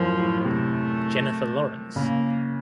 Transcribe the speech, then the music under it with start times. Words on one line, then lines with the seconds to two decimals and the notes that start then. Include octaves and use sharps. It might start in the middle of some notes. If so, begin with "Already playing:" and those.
Jennifer Lawrence.
Already playing: F#2 A2 F3
0.20 A2
0.44 C3 A3
1.96 C#3 A#3